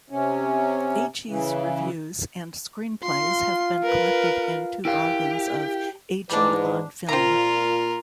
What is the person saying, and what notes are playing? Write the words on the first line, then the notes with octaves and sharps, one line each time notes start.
Agee's reviews and screenplays have been collected in two volumes of "Agee on Film".
C3 C#4
C#3 E3
F4 C6
A#4 B4
E4 G4 A#4 F5
G#2 E3 G3 D4 B4
A#2 C4 F4 A#4 A#5